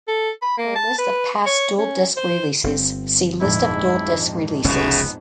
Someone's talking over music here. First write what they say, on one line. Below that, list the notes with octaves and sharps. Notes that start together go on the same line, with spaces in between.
For a list of past DualDisc releases, see "List of DualDisc releases".
A4
B5
A#3
A5
B4
C#5
C#4
C5
G1 A#2 C4
A#1 F2 G#2 E4
F1 C#2 F#2 C#3 B3 C#4